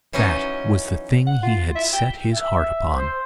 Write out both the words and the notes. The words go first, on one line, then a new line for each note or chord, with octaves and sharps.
That was the thing he had set his heart upon.
E3 F#3 C#4 D#4 D#5
F#5
F4
E5
G5
E5
C5